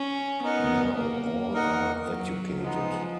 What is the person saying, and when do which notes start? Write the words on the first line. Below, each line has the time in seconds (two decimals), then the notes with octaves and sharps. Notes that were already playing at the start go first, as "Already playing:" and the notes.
Now all are educated.
Already playing: C#4
0.43 B3 D#4 A#4 D#5 F#5
0.98 A#3
1.53 D#4 A#4 D#5 F#5
2.08 F#3
2.64 F3 G#3 B3 D#4